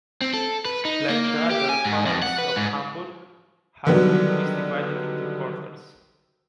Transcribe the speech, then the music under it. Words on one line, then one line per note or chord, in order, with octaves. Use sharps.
Like the other boroughs of Hamburg, Harburg is divided into quarters.
C4
A4
B4
D#4
A#3
G4
G#5
G#2
F2
F#5
B4
G#2
D3 D#3 F#3 G3 B3